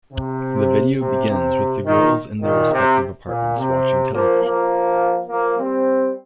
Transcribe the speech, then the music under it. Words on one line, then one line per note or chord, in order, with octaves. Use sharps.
The video begins with the girls in their respective apartments, watching television.
C3
C3
C3
A#2 D#3
A#2 D#3
C3
A#2
C3
F3 A#3
F3 A#3
F3 A#3
G3 C4